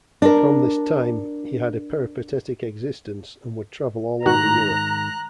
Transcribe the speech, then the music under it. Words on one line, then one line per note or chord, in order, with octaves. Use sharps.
From this time, he had a peripatetic existence, and would travel all over Europe.
D4 A#4
G#2 D#3 F#4 A#5 F#6